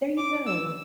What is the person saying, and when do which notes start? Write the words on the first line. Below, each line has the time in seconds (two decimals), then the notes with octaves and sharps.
There you go.
0.18 D6
0.47 E6